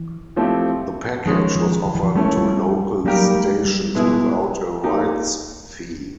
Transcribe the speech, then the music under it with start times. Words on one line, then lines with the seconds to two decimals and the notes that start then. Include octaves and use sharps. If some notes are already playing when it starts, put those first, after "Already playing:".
The package was offered to local stations without a rights fee.
Already playing: E3
0.36 F3 A3 C4 E4 G4
1.26 D#3 F3 G#3 C#4
1.55 F3
1.86 F3
1.95 E3
2.03 F3
2.15 G3 A3 C#4 E4
2.26 G#3
2.37 G3
3.04 F#3 G3 A#3 D#4 G4 A#4
3.35 G#3
3.65 G3
3.94 B2 G#3 B3 E4 G#4
4.84 A#3 D#4 G4